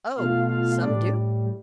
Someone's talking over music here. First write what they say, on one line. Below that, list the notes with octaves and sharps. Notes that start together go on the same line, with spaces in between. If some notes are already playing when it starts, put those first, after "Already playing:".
"Oh, some do!"
B2 A3 F4 F5
F4 F5
A2 G3 D4 D5